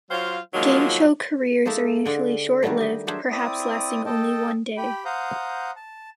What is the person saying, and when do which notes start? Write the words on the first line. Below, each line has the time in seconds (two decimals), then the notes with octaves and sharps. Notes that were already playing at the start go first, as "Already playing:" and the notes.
Game show careers are usually short-lived, perhaps lasting only one day.
0.11 F#3 F4 C5 C#5 F5
0.54 D#3 F3 F#3 G#3 A#3 F4
1.66 G#3 A#3 D#4 A4 E5
2.05 D3 G#3 D5
2.63 D3 D#3 F#3 G3 A3
2.77 G4 D#5
3.07 F#3 D4 G#4 C5 E5
3.31 C4 E4 D5 D#6
4.06 A4 D#5 G5 A5
4.78 G4 G5 B5
5.05 C5 F5 F#5 A#5 D#6 G6
5.76 A5